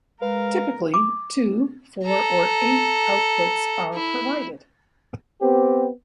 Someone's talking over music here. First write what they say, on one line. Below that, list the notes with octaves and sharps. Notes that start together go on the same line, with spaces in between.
Typically, two, four or eight outputs are provided.
G#3 A#4 B4 F5
D6
A4 A#5
E4
B3 C4 G4